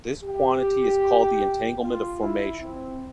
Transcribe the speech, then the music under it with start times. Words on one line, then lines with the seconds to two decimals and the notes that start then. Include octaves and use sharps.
This quantity is called the entanglement of formation.
0.23 G4
1.81 F4
2.21 E4
2.61 C4